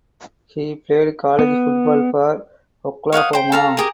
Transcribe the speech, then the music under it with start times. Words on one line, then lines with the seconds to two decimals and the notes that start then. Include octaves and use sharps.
He played college football for Oklahoma.
1.39 B3
3.13 C#5 F5 F#5 D#6
3.33 C5 G5
3.52 A4 F5 A#5
3.77 G4 G#4 A#4